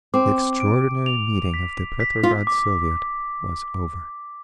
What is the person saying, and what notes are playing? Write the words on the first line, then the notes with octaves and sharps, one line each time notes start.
The extraordinary meeting of the Petrograd Soviet was over.
C4 D6
D7
F7
B6
B6
F4
D6